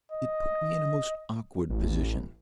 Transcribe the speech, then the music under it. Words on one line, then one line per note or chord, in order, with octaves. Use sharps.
It put me in a most awkward position.
D#5
A1